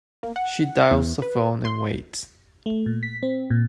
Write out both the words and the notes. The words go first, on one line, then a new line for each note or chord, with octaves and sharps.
She dials the phone and waits.
A#3
F#5
E2
B4
C6
A3
A#2
B6
C4
A#2